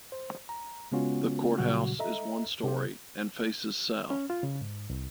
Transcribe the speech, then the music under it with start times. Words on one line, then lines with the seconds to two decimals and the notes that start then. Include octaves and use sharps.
The courthouse is one story and faces south.
0.12 C5
0.49 A#5
0.92 C#3 G#3 B3 C#4 F4 F#4
1.58 A#2 C#3 F#3 G3 F#4
1.99 A4 D#5 E5 A#5
2.63 C3 G4 C5
4.10 C#4
4.30 F4
4.43 C#3
4.61 G#2
4.90 C2